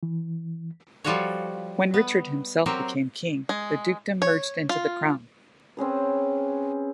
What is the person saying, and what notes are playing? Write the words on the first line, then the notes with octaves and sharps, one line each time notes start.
When Richard himself became king, the dukedom merged into the crown.
E3
F3 G3 F4 F#4 A4 C#5
B3
F#3 C4 G4 A#4
G#3
C#5
F4
C4 C#4 G#4 B4